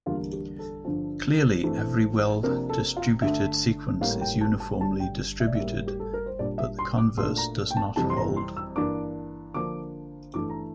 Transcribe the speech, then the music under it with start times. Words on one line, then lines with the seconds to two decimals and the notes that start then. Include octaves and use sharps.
Clearly every well-distributed sequence is uniformly distributed, but the converse does not hold.
0.06 E2 D3 G3 A#3 F4
0.33 G4
0.59 A4
0.85 G2 D3 F3
1.64 G2 E3 A3 C4
2.43 C3 F3 A#3 D4 A#4
2.69 A4
2.97 F4
3.22 G2 D3 A3 E5
4.01 A2 G3 A#3 F5
4.21 G5
4.41 A5
4.60 A5
4.81 G2 D3 G3 D4 A5
5.00 G5
5.40 E5
5.47 D5
5.55 A2 G3 A#3 E5
5.87 G4
6.00 A4
6.14 A#4
6.26 C5
6.39 A#2 G3 D4 D5
6.58 E5
6.79 C6
6.98 D6
7.17 A#2 A3 D4 C6
7.37 A#5
7.71 G5
7.77 A5
7.96 F2 C3 E3 G3 C4 A5
8.10 C6
8.17 A#5
8.36 C6
8.57 E6
8.76 G2 E3 A#3 D4 D6
9.54 D3 F3 A#3 D4 D6
10.33 G2 E3 A3 D6
10.49 A#5